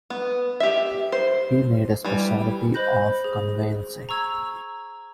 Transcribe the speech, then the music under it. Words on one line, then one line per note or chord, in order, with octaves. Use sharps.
He made a specialty of conveyancing.
B3
G4 E5
C5
E3 G3
C5 D#5 B5 F#6 G6 A#6
G#4
A#5 C#6 E6 G#6